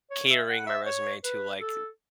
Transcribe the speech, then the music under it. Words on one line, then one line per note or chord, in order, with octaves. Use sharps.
catering my resume to, like,
C#5
E5
F#5
E5
C#5
B4
A4